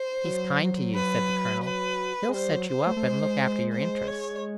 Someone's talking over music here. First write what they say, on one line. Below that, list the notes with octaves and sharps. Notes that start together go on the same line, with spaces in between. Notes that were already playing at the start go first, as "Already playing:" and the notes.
"He's kind to you," said the colonel; "he'll set you up and look after your interests."
Already playing: C5
F#3
B4
B4
G#3
G3 C5
F#3
C5
A3
A3
G#3
C5
C#5